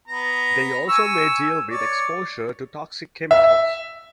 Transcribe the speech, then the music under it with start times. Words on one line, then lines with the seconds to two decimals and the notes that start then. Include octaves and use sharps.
They also may deal with exposure to toxic chemicals.
0.08 B3 A#5
0.89 G#5 C#6 E6
1.70 C#5 D5
3.31 E5